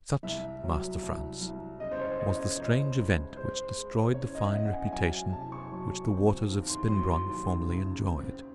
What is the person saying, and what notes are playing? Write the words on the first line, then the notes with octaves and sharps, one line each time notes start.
Such, Master Frantz, was the strange event which destroyed the fine reputation which the waters of Spinbronn formerly enjoyed.
C2 E5
F#3
C2
C2
C#3 D#5
C5
C#5
C#3 D#5
C#5
D#5
C#2 C5
C#2
G#3 C5
G#3
C#3 C#5
D#5
E5
C#4 F#5
G#5
F#3 G#5
C3 A5
C#6
F#3
C4
D#2
C6
F#3 C6
C6
D#2
C#3
C4